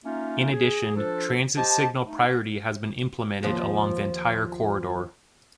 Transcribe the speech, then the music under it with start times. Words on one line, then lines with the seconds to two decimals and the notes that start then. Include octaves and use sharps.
In addition, transit signal priority has been implemented along the entire corridor.
0.05 A#3 C#4 D#4 F4 E5
0.53 G#4
0.96 F3 D4 F4 A4 C5
1.57 G4 C5 D#5 A5
2.05 A3 D#4
3.43 D#2 F3